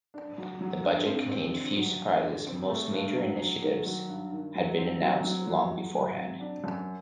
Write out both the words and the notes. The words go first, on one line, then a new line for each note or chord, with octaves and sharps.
The budget contained few surprises: most major initiatives had been announced long beforehand.
D4
F#3
F#3
G2
C4
C4
D3
F#3
G2
D3
C4
A3
G2
F#3
F#3
D#3
F#3
G2
D#3
F#3
C4
F#3
F#3
F#3
F#3
F#3
C4
D4
F#2